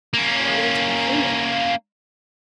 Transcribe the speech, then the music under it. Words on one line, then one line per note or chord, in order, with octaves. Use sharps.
wanting to be human.
A#3 C#4